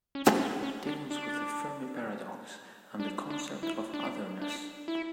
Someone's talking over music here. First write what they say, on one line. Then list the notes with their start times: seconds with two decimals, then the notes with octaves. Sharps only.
It deals with the Fermi paradox and the concept of otherness.
0.15 C#4
0.35 B3
0.39 C#4
0.63 C#4
0.87 D4
1.11 D4
3.00 D4
3.30 D4
3.63 E4
3.94 D4
4.42 D4
4.88 E4